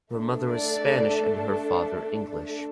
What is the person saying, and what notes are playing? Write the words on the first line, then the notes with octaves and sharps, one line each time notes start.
Her mother is Spanish and her father English.
A3 D4 A4
D5